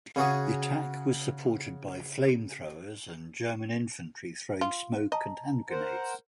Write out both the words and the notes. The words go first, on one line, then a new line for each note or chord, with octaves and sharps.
The attack was supported by flame-throwers and German infantry throwing smoke- and hand-grenades.
C#3 F#4 G#4
F4
D#5 A5 A#5
A#4 C5 F#5